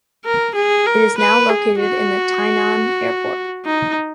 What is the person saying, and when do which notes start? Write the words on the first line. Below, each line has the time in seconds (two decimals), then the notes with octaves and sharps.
It is now located in the Tainan Airport.
0.25 A#4
0.55 G#4
0.86 A#4
1.18 B4
1.49 G#4
1.80 F#4
3.65 D#4